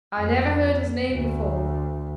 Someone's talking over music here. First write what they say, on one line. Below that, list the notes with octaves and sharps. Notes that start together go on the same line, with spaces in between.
'I never heard his name before.
F2
D2